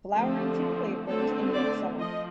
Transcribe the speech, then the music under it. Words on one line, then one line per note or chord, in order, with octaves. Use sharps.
Flowering typically occurs in mid-summer.
D3 F3 A3 C4 G4
D3 A3 C4 A4
D5
F3 D#5